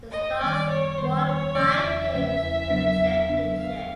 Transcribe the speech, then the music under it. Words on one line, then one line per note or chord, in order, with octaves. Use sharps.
The Stars won five games to take the championship.
F#2 D#5
D#3 G3 B3 D5
F#2 C#5
D#3 G3 B3 C5
E2 C#5
C#3 F3 A3 C#4 D5
E2 E5
C#3 F3 A3 C#4
E2
C#3 F#3 B3 D4
E2
C#3 F#3 B3 D4
D3 F5